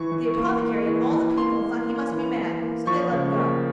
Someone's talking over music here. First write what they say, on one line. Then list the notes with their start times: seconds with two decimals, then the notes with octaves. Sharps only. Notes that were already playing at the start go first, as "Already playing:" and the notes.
The apothecary and all the people thought he must be mad, so they let him go.
Already playing: E3 C#6
0.12 E3
0.38 A#3
0.62 A#3
0.86 E3
1.12 E3
1.37 A#3 C6
1.62 A#3
1.87 A#3
2.11 E3
2.37 E3
2.62 A#3
2.87 F3 C#6
3.12 C#3
3.37 A#3